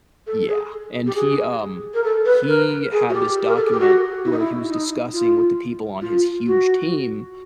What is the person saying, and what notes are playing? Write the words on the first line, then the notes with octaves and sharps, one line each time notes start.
Yeah, and he um, he had this document where he was discussing with the people on his huge team
A4
G#4
G4
G#4
A#4
A4
B4
A#4
G#4
F#4
G4
A#4
A4
G#4
G4
F#4
E4
D#4
E4
D#4
F4
F4
F#4